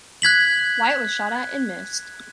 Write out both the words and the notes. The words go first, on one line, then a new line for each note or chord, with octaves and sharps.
Wyatt was shot at and missed.
F#6 G#6 B6 F#7